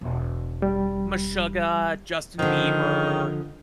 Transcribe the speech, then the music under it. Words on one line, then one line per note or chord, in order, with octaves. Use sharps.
Meshuggah, Justin Bieber,
E1
G3
D3 D#3 F3